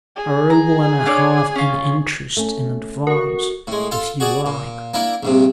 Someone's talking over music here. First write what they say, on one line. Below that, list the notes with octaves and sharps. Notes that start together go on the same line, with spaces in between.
"A rouble and a half, and interest in advance, if you like!"
G#4
A#5
D4 C#5 D5
C#4 F4
A3 C#4
F#4 A#4 C#6
A2 G#3
F4 A4 F5
F#4 G#4 D5
A#2
A#3 D4 E4
A#1 G2 C3